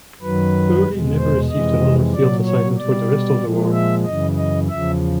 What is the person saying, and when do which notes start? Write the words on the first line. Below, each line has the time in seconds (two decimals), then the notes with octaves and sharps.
Early never received another field assignment for the rest of the war.
0.21 F#2 D#3 F#3 B4
0.86 E2 B2 G#3
1.18 C5
1.50 F2 C3 E3 G#3 D#5
2.13 A#2 F#3 D5
2.46 C#5
2.77 B2 G3 D5
3.41 A#2 F3 G#3
3.73 E5
4.05 F#2 C#3 E3 D#5
4.37 D#5
4.69 E2 C#3 F3 E5